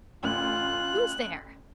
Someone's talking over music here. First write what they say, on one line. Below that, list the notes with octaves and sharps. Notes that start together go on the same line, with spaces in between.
Who's there!
A1 D2 F4 F#6